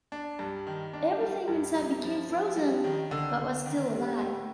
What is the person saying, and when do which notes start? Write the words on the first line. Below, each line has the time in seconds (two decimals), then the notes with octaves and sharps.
Everything inside became frozen, but was still alive.
0.12 D4
0.39 G2
0.67 D#3
0.93 D4
1.20 G3
1.48 G2
1.75 G2
2.02 F3
2.29 F3
2.56 G3
2.84 D#3
3.11 D3
3.38 D3
3.66 D#3
3.93 G3
4.20 A2